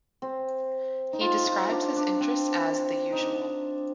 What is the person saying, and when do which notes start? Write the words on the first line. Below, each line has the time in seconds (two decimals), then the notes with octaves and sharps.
He described his interests as the "usual".
0.22 C4
1.13 D#4
1.21 F4
1.46 F4
1.71 D4
1.96 D4
2.20 C4
3.12 D#4
3.20 D4